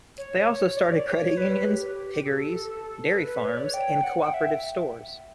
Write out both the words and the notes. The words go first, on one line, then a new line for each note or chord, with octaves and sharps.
They also started credit unions, piggeries, dairy farms, and co-operative stores.
C#5
D5
C#5
D5
C#5
B4
G4
A4
B4
C#5
D5
C#5
G5
F#5
G5
E5